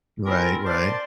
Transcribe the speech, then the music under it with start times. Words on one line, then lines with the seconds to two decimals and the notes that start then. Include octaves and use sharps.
Right, right.
0.25 C4 C#4 E4 F4 A#4
0.65 C5 D5 A5 C6